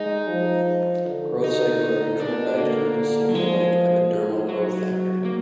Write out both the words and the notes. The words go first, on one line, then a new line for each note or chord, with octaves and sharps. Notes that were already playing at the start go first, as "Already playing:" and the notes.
Growth cycles are controlled by a chemical signal like epidermal growth factor.
Already playing: G#3 D#4
F3
D3
D#4
B2 D4
D3 A#3
F#3
F3 G#3
F#3
A#3